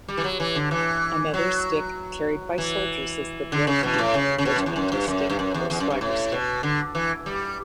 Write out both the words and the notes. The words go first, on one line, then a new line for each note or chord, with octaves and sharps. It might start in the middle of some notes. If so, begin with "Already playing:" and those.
Another stick carried by soldiers is the drill cane, regimental stick or swagger stick.
G3
E3
F#3
E3
D3
E3
F#3
E3
D3
C#3
B2
G2
A2
C#3
C#3
B2
F#2
E2
F#2
G2
F#2
G2
F#2
E2
E2
F#2
G2
A2
B2
D3
E3
G3